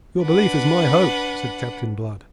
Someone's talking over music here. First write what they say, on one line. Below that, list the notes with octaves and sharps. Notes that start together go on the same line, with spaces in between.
"Your belief is my hope," said Captain Blood.
D4 B4 F#5